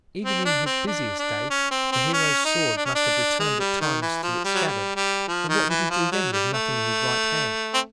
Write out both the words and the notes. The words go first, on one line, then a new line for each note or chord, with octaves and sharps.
Even in his busiest day the hero's sword must have returned at times to its scabbard, and what would he do then with nothing in his right hand?
C4
D4
C4
D4
D4
C#4
C4
C4
C#4
D#4
D4
C#4
D4
G#3
G3
D#3
E3
F3
G3
F#3
G3
G3
F3
D#3
E3
F3
F#3
G3
A3
C4